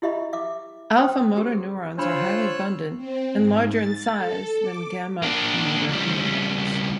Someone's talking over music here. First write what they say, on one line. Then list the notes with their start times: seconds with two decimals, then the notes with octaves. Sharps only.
Alpha motor neurons are highly abundant and larger in size than gamma motor neurons.
0.02 E4 G4 D#5 E5 B5
0.33 E5 D6
0.97 C#4 B4 C5 G5 C6 D#6
1.36 G4 G#4 C6
1.98 D4 F4 C5 C#5 B5 E6 F#6
2.97 C4
3.35 G#2
3.72 A6
4.17 A4
4.61 D6
5.22 A#3 D4
5.88 C#2 G3